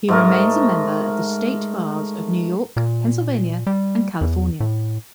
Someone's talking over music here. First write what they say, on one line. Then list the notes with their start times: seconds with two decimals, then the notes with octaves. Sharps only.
He remains a member of the State Bars of New York, Pennsylvania and California.
0.08 G#2 A3 A#4
2.76 A#2
3.67 G3
4.21 E2
4.60 A2